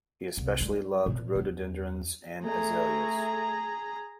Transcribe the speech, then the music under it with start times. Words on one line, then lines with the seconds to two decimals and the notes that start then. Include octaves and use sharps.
He especially loved rhododendrons and azaleas.
0.37 C2
0.60 G3
1.06 A#2
1.35 E2
2.45 A3 G#4 A#5